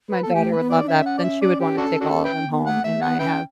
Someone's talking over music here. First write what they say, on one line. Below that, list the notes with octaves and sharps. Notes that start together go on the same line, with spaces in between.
My daughter would love that, but then she would wanna take all of them home, and I have
B4
B3 A4
A3 G4
B4
B3
D5
D#4
C#4 E5
F#5
D5
E5
D5
G4
D4 F#4 A4
D4 F#4 A4
B4 E5 G5
B3
A3 F#5
A3 E5
B3 F#5
C#4 B4 E5 G5